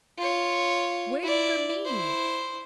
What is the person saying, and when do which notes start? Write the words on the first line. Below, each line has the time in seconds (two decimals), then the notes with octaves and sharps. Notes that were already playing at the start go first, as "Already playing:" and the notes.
"Wait for me!"
0.18 F4 C#5
1.23 E4 D5
1.85 E4 C5